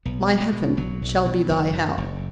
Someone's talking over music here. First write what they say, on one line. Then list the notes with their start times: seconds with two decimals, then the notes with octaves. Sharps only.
My heaven shall be thy hell.'
0.05 B1 B3
0.29 B2
0.40 G#3
0.53 B2
0.77 B1 F#3
1.02 B1
1.26 B2
1.49 F#1
1.73 F#2
1.98 F#1